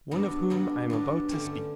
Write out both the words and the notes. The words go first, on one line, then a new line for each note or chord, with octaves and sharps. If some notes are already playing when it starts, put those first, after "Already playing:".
One of whom I am about to speak.
G2 F#3 B3 D4
G2 F#3 B3 D4
G2 F#3 B3 D4
D3 A3 C#4 G4